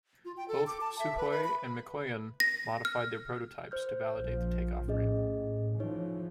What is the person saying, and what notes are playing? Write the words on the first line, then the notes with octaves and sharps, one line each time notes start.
Both Sukhoi and Mikoyan modified their prototypes to validate the takeoff ramp.
F4
G5
A4
D6
A5
E5
B4
B4
B5
A#6
F6
C5 F6 G6
A#1 F3
A2 C#4 G#4 D#5
E3 F3 D#4 C#5